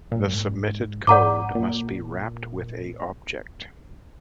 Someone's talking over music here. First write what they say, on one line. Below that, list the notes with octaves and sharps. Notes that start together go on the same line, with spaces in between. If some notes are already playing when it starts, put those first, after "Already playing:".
The submitted code must be wrapped with a object.
A#2
G#2
F#2
G#2
G#2 D5 F#5 A#5 D6
A#2